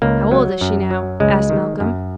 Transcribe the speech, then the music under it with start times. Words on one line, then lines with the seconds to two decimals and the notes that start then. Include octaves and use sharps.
"How old is she now?" asked Malcolm.
0.02 C#2 A#3
0.31 F#3
0.61 F#2
0.91 F#3
1.20 C#2 G#3
1.50 D#3
1.80 F#2